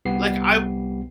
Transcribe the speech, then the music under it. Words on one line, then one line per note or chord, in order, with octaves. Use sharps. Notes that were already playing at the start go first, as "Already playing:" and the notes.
like I
C2 B3 G4 C7